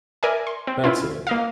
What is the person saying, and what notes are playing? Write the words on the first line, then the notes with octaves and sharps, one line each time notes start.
That's it.
A#4 D5 E5 G#5
C6
C4
C#4 E4 F4
A#3 D#5 F5